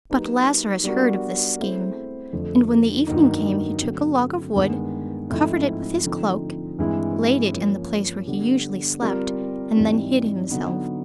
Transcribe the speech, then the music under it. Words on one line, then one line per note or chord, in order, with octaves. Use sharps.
But Lazarus heard of this scheme, and when the evening came, he took a log of wood, covered it with his cloak, laid it in the place where he usually slept, and then hid himself.
F#3 A#3 D#4 G4 B4
G3 B3 D4 F#4 A#4
A3 C4 E4 G#4 C5
F2 D3 F3 A3
G2 D#3 F#3 A#3 D#4
D3 F#3 A3 C4
G2 D#3 G#3 B3
G#2 F3 A3 C4 E4
D3 F3 A3 C4 D#4
G2 E3 G#3 C4 E4
F3 A#3 C#4
D3 G3 B3 D4
G3 C4 F4 A#4
G#2 E3 G3 C4 E4
D3 F#3 B3 D#4